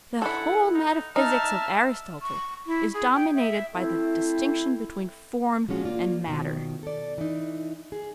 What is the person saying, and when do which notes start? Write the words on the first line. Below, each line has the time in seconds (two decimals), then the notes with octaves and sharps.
The whole metaphysics of Aristotle is dominated by the distinction between form and matter.
0.22 E4 A4 F#5
0.74 D#4
1.16 D#4 E5 A5 F6
2.22 C#6
2.66 E4
2.93 G#4
3.14 G5
3.34 E5
3.74 A3 C4 E4
5.68 A#2 F3 G#3 C#4 F#4
5.84 A#3 F4 D5
6.28 B2 D#3 F3
6.83 A4 D5
7.18 E3 D#4
7.92 G#4